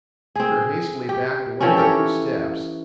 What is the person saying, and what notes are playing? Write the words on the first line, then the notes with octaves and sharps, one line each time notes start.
Peter hastily backed away a few steps.
C4 G#4
G4
E3 F3 C4 C#4
G4 A4 A#4 C#5